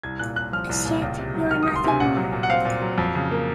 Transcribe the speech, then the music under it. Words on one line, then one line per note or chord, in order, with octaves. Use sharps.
As yet, you are nothing more.
C2 G#6
A#2 F#6
C2 F#6
F3 F6
C2
A#2
C#2
C3
F#3
D#3 F6
C#2 D#6
C6
C3 G#5
A#2 F#5
F#3
A#2
F#5
C4 F5
A#2
F#3
F2
C#3
A#3